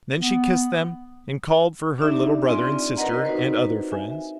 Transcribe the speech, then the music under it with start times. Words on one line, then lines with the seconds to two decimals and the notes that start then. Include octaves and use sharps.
Then she kissed them and called for her little brother and sister and other friends.
0.18 B3
1.98 D4 D#4 G4 D5 E5
2.46 C4 F4 D5 G#5
2.97 A#4 B4 D#5 F#5 A#5
3.25 D#4 F#4 B4 C5
3.91 E5 G#5